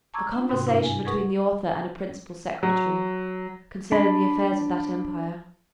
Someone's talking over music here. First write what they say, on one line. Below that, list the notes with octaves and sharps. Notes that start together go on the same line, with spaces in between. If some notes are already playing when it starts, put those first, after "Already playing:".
A conversation between the author and a principal secretary, concerning the affairs of that empire.
A5 A#5 C#6 D6 E6 G#6
D4 F4
G#2 C3 F#4 G5 C6 D#6
G2 D4 E4
G#5
G#4 A#4 B4 F#5 C#6 D#6
F#3
D4 B5